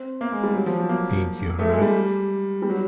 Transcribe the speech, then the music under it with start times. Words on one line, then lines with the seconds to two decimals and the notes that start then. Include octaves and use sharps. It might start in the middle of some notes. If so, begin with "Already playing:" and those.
Ain't you heard?
Already playing: C4
0.21 A#3
0.32 G#3
0.43 G3
0.55 F#3
0.66 F3
0.78 F#3
0.89 A#3
1.59 A3
1.70 G#3
1.82 G3
2.62 G3
2.69 F#3